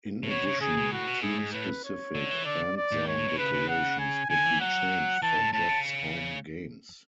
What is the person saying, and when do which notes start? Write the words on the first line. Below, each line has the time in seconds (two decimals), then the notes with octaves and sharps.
In addition, team-specific end zone decorations would be changed for Jets home games.
0.23 A2
0.30 B2 C#5
0.47 C#3
0.61 C#3 G#4
0.77 B2
0.91 A2 F#4
1.07 B2
1.22 A2 G#4
1.39 G#2
1.53 A2 B4
1.85 C#5
2.15 D3
2.31 E3
2.45 D3 D5
2.76 D5
2.92 A2
3.07 G#2 C#5
3.18 A2
3.28 B2
3.38 C#3 B4
3.53 C#3
3.69 F#5
4.00 G#5
4.29 D3 G#5
4.45 E3
4.61 F#3 F#5
5.22 E3 A5
5.38 A2
5.53 A2 A5
5.69 C#3